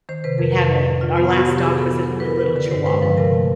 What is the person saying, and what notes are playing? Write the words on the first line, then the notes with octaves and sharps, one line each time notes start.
We had a Our last dog was a a little Chihuahua,
D#3 C5
C3 B4
F2 A#4
C3 B4
A2
A2
A2 F4
B3 F4
B3 F#4
C3 G4
B3 G#4
B3 A4
B3
F#3
B4
B3 A#4
C#3
D3 B4
G2 C5
G#3 B4
F3 B4
C3 A#4
A3